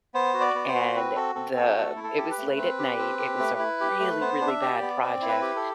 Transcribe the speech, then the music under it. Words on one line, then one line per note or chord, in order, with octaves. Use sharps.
and the it was late at night, it was a really, really bad project,
B3 C5
F#4
D5
B3
C5
F#4
C4 B4
F#4 A4
C4 A4
F#4 A4
A3 A4
E4
A4
G4
B4
A3
C4
G4
C4
G4
A3
E4
G4
A3
B3 C5
D4
E5
G4
D5
B3
C4 D5
E4
B4
G4
A4